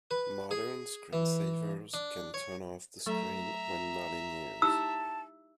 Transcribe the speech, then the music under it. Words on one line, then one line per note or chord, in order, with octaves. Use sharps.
Modern screensavers can turn off the screen when not in use.
B4
G#4
E3
D4
C#5
F#3 A3 A4 E5 A#5
D#4 E4 G4 A5 E6